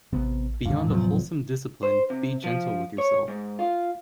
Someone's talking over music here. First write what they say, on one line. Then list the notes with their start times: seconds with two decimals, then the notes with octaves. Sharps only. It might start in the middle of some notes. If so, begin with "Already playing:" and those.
Beyond a wholesome discipline, be gentle with yourself.
0.12 A1 C3 B3
0.65 D#2 G#2 D3 D#3 F5
0.87 E1 E2 A2 C3 F3 F#3
1.83 C5
2.10 C3
2.44 F3
2.98 C#5
3.28 G#2
3.59 F4